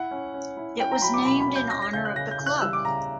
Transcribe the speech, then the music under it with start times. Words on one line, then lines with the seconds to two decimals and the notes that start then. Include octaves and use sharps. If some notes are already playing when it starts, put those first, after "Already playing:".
It was named in honor of the club.
Already playing: E4 F#5
0.11 C#4
0.34 C#4
0.57 E4
0.80 C#4 G5
0.92 A#5
1.02 F#3 B5
1.14 D6
1.25 B2 B5
1.40 B5
1.48 C#4
1.56 G6
1.70 C#4 A#6
1.82 A#6
1.93 C#3 G6
2.05 F#6
2.16 C#3 A#6
2.31 G6
2.39 C#3
2.46 F#6
2.62 G3 E6
2.73 D6
2.85 C#3 A#5